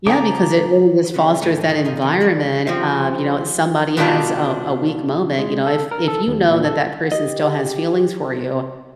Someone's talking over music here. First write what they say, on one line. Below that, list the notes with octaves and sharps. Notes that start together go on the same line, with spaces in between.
Yeah, because it really just fosters that environment of, you know, somebody has a a weak moment, you know, if if you know that that person still has feelings for you
C#3 F3 D#4 G#4 A5 A#5 D6
C#3 G3 C4 B4
G#2 A3 C#4 B4 G5 G#5
D#3
D#4 F4 G4 G#5 C6
E3
A3 E4 D5 G#5
F3 G3 C4
B2 D#3 G3 A#3 D4 F4
G#3
A4
A#4
A4
D#2
A#2
A4
G4 D#5